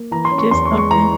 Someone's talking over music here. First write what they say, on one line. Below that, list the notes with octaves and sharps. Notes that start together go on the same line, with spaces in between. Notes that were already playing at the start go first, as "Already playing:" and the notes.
just something
Already playing: A#3
E3 A#5
C6
C#4
C#6
E2 C6
C#6
G#3
C#6
E3 A#5